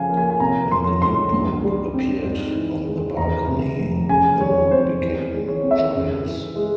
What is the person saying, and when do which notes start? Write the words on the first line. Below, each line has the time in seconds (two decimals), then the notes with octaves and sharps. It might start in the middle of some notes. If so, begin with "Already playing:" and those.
When the new pope appeared on the balcony, the mood became joyous.
Already playing: C#3 F3 F5 G#5
0.09 A#3
0.17 G#5
0.30 G#5
0.40 C3 A#5
0.71 F3 C6
1.02 C#2 C6
1.32 G2
1.64 G3
1.94 C4
2.24 G#2
2.56 E3
2.86 G#3
3.17 E2 A#5
3.48 C3
3.79 F1
4.09 C#3 G#5
4.40 G3 C#5
4.71 C4 C5
5.01 E3
5.33 G#3
5.48 C#5
5.63 C4
5.71 E5
5.94 C#3
6.26 E3
6.56 G#3